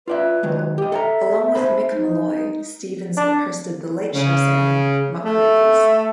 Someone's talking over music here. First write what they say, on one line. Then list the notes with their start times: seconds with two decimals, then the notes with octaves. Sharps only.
Along with Mick Molloy, Stephens hosted the "Late Show" segment "Muckrakers".
0.08 F4 B4 D5 E5
0.43 D#3 F#3 G#3
0.78 G4 D#5
0.92 A4 E5 G5 A#5
1.55 G#4 C5 B5
1.92 D#4
3.17 D4
4.14 C#3
5.23 A3